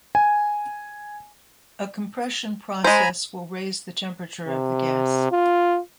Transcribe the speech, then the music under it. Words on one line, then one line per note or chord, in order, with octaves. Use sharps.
A compression process will raise the temperature of the gas.
G#5
G#3 C5 G#5 A#5 B5
C3
F4